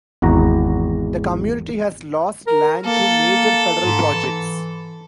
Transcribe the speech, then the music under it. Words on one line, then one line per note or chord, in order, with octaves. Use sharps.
The Community has lost land to major federal projects.
G#1 E2 F#4 A#5
A#4
A#3 A4
G#2
E3